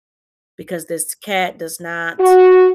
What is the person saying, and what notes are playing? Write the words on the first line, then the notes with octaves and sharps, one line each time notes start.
because this cat does not,
F#4